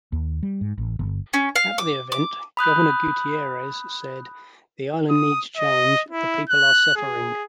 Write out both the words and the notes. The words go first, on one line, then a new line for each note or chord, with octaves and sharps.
At the event, Governor Gutierrez said, The island needs change; the people are suffering.
D#2
G3
G#2
A1
G1
C#4
F5
D6
D6
B5 D#6 F#6 G6
D#6
D#5
E4
F#6
G#4